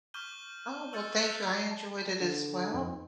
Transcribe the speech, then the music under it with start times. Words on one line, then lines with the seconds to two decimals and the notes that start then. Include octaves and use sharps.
Oh, well, thank you. I enjoyed it as well,
0.14 C#6 D6 F6 G6 D#7 G7
0.93 C#6 E6 F6 G6 A6 C#7
1.22 E6 F#6 B6 C#7 F7
1.71 A5
2.20 D3
2.70 F2 D#4